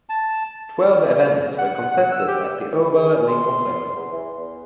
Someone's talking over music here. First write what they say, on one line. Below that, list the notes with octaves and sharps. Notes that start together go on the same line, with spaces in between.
Twelve events were contested at the Oval Lingotto.
A5
F#5
F#5
F#5
E6
G4
G#4
C6
E2
E3
E2